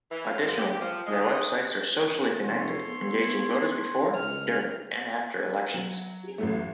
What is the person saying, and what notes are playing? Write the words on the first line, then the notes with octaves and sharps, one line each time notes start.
Additionally, their websites are socially connected, engaging voters before, during, and after elections.
E3
F4
G#2
G4
F3
G#3
D3
D#5
F1 A4 C#5 C6
B3
C#2 F6
F#3
A1 F#3 A3